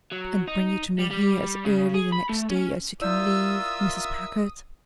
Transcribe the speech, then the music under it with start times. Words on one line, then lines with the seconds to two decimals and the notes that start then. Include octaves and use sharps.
"And bring it to me here as early the next day as you can leave Mrs. Packard?"
0.12 F#3
0.47 D#4
0.98 G3
1.10 G3
1.65 C#3
1.94 G#4
2.12 B5
2.29 A3
2.50 C#4
3.01 E4 F4 A#4 D5 E5 D#6 E6 G6